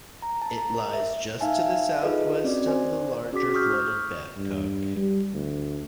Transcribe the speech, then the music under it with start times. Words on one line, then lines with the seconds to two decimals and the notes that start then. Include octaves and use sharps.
It lies just to the southwest of the larger, flooded Babcock.
0.22 A#5
0.42 A5
0.58 A#5
0.75 A#4
0.94 E5
1.40 D#4 E5 F5 G#5 A5
2.02 D#4 F4 G#4 A4 B4 D#5
2.44 C4 C#4 F#4 D5
2.67 C5 D5 G#5
3.32 C#4 F#4 G#4 D6 B6
3.54 C#6 D#6 F6 G6
4.37 G2
4.96 G3
5.33 D2